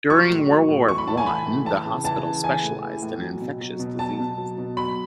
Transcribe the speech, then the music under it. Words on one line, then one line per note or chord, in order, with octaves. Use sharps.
During World War One, the hospital specialised in infectious diseases.
F#3 C#6
A2
F#3
A2
E3 C#6
B5
A2 A5
G#5
E3 B5
A2
E3 A5
C#3
E3 A5
C#3
E3 G#5
A2
E3
A2
F#3
B2
F#3
B2
F#3 A5
B2
F#3
B2
F#3 B5